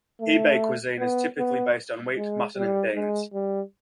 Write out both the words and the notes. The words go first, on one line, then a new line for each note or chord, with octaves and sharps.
Hebei cuisine is typically based on wheat, mutton and beans.
A3
B3
B3
G#3
G3
G#3
G3